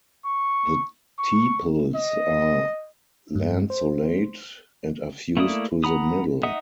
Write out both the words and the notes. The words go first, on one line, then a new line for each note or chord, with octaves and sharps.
The tepals are lanceolate and are fused to the middle.
C#6
C#6
D#5
G2
C5
A3 A#3 E4 D5 D#6
F#5 A#5 B5 D#6
D#4 D#5 E5 F#5 D#6